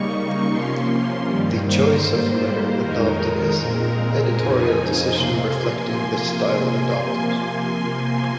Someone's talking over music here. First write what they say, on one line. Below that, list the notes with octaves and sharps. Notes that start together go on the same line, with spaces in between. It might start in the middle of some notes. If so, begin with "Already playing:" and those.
The choice of letter adopted is an editorial decision reflecting the style adopted.
Already playing: C#3 G3 A#3 D#4 C#6
C3 F3 A#3 C#4 C6
G2 D#3 G3 A#3
C5
G#2 G3 A#3
F2 D#3 G#3 D#4 A#4
A#2 G#3 C4 A#4
F2 C#3 F3 C4 D#4 G#5
C3 F3 A#3 C6
G#5